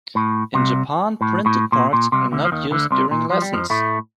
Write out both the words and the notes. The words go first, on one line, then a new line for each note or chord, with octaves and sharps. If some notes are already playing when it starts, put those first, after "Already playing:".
In Japan, printed parts are not used during lessons.
A2
C2 C3
A2
A2
A#2
A#2
C2 C3
D2 D3
F3
D#2 D#3
D2 D3
C2 C3
A#2
F3
G3
F2 F3
A2 A3